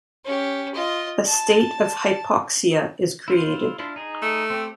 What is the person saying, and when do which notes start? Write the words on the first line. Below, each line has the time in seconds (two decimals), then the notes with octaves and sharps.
A state of hypoxia is created.
0.25 C#4 G4
0.74 F4 D#5
1.26 A5
3.28 E4 F4 C5
3.79 D4 E4 F4
3.96 D#4 G#4
4.22 A3
4.50 C4 G4